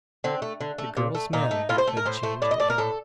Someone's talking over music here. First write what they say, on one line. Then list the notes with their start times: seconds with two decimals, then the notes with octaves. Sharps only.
The girl's manner had changed again.
0.24 D3 C4
0.42 A3
0.61 D3
0.78 A3
0.97 A#2
1.15 A3
1.33 A#2 D#4
1.51 A3
1.69 A2 F4
1.78 C5
1.87 A3
1.97 A#4
2.05 A2 C5
2.23 A3
2.42 A2 D5
2.51 D#5
2.60 A3 D5
2.70 A#4
2.78 A2 A4